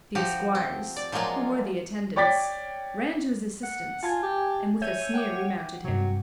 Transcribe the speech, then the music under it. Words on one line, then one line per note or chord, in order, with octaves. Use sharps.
The Esquires, who were the Attendants, ran to his Assistance, and with a Sneer remounted him.
F3 F#4 G4 F5
C4
D5
F3 F#3 G#3 A#3 F4
C#5 D5 G5 D6 A6 B6
F#5
F4 G#5 A5 G#6
G4
C#5 E5 G6 D#7
F#5 G5 D6
G2 C3 F#3